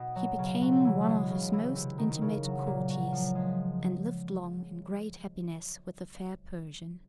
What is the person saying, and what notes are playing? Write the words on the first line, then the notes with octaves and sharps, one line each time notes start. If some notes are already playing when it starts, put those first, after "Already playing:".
He became one of his most intimate courtiers, and lived long in great happiness with the fair Persian.
Already playing: B2
F#3
C#3
F#3
E3
G#3
C#3
E3
C3
D#3
C#3
F#3
A#2
F#3
F3
G#3